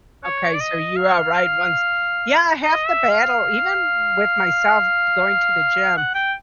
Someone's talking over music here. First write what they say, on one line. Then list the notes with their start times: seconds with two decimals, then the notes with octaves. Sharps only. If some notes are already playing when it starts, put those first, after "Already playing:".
Okay, so you are right once yeah half the battle even with myself going to the gym,
0.24 C#5
0.54 D5
0.60 D#5
0.97 F5
2.64 D#5
2.87 E5
3.11 F5
5.97 F#5
6.15 G5